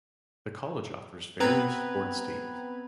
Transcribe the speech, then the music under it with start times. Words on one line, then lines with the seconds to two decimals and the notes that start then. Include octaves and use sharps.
The college offers various sports teams.
1.40 B3 C4 B4 A#5 B5 G#6